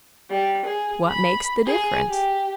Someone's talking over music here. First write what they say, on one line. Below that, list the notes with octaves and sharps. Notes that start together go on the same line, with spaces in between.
What makes the difference?
G3
G#4
B5
G#4
G4